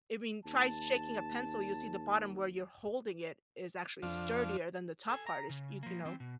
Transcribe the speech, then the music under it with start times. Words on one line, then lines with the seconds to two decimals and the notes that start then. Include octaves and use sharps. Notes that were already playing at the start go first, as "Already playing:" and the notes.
I mean, try shaking a pencil, you'll see the bottom where you're holding it is actually sturdier than the top part is, y you know,
0.45 D#2 A5
4.02 F2 F3 D4 F5
5.10 A4 G#5
5.27 A#5
5.49 C#3
5.83 F3 A#3
6.05 E3 C4
6.20 B2